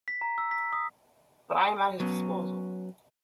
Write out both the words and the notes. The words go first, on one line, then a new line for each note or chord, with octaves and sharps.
But I am at his disposal.
B6
A#5
E6
B6
D#6
F#3 B3 C#4